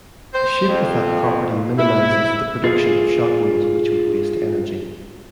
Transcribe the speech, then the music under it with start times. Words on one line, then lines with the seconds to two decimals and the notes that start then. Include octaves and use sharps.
A shape with that property minimises the production of shockwaves which would waste energy.
0.34 C5
0.68 F2
1.78 E4
2.64 F4 G#4